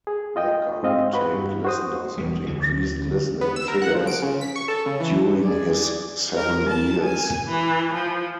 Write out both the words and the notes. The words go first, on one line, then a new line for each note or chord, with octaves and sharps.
Walker retained listeners and increased listening figures during his seven years.
G#4
F4 D#5 G5
G#2 C4 D#5 F5
F#4 B4
G2
F#4 C5 D#6
E1 E2 G3
D2 D3 E3
B3
E6
A#4
F#5
F3
D7
C#3
B6
C#6
A4
C#3
E3
G#4 D5
A#4
A5
G#5
E3
F3